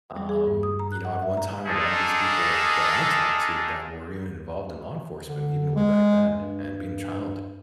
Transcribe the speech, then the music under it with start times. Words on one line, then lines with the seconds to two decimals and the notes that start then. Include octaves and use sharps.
Um, you know, at one time, a lot of these people that I talked to that were even involved in law enforcement, even way back then, and being a child,
0.17 G3
0.29 G#4
0.47 G2
0.63 D#6
0.79 A#5
0.92 F#6
1.05 F#5
1.22 E5
1.37 A#5
1.67 D4 D#4 F4 G#4 A4
5.26 D3
5.76 G#3
6.36 G2